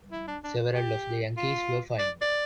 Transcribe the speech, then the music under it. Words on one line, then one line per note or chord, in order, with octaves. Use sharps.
Several of the Yankees were fined.
E4
D4
D4
G4
F4
D5
D5